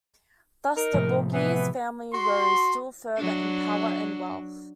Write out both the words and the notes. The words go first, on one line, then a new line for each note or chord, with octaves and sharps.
Thus the Borghese family rose still further in power and wealth.
D#4 A#4
A2 C3 F3
E3 B3
F#4 C6
F#3 D4